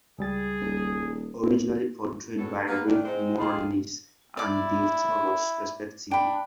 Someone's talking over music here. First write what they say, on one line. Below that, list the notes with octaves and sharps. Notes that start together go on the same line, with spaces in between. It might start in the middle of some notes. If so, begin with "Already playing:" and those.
Originally portrayed by Rick Moranis and Dave Thomas, respectively.
C#2 G3 G#4 A6
D#1
E2 A2 E3 F#3 A4
A#3 B3 B4
D#3 G3 A3 D4
G#2 G#3 C4 D#4 C5
G#3 C4 D#4 F4 G#4 A4
E4 D5 D6
D4 G5 B5